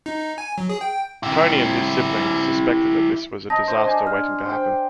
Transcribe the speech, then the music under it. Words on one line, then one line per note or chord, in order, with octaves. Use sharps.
Tony and his siblings suspected that this was a disaster waiting to happen.
D#4
D#4
G#5
F#3
G#4
G5
E4 G4
D#4 A5 A#6
C5 D#5
D4 G#5
F6
C5 G5